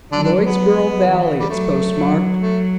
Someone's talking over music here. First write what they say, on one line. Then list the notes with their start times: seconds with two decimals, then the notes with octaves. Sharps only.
Lloydsboro Valley it's postmarked.
0.12 D3 F#3 D4
0.23 D3 D4
0.45 B3
1.03 E3
1.39 G3
1.49 F#3 A3
1.95 F#3
2.41 A3